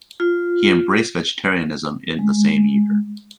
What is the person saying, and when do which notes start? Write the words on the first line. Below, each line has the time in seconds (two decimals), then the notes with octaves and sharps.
He embraced vegetarianism in the same year.
0.20 F4
2.19 G#3